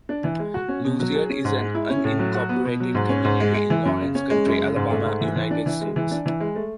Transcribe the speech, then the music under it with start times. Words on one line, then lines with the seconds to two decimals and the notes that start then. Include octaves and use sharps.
Loosier is an unincorporated community in Lawrence County, Alabama, United States.
0.09 D4
0.24 E3
0.39 G#3
0.54 F#4
0.69 C#4
0.84 B2
1.00 F#3
1.15 G#4
1.30 C#4
1.45 G#2
1.59 G#3
1.75 E4
1.90 C#4
2.04 A2
2.19 F#3
2.35 F#4
2.49 B3
2.65 B2
2.80 F#3
2.95 G#2
3.09 C#4
3.24 G#2
3.40 G#3
3.54 G#3
3.70 E3
3.85 F#2
4.01 C#3
4.15 C#4
4.30 G#3
4.46 F#2
4.60 C#3
4.76 G#2
4.91 A3
5.05 G#2
5.21 E3
5.36 E3
5.51 D4
5.66 E3
5.81 G#3
5.96 E3
6.11 D4
6.26 E3
6.40 G#3
6.56 A3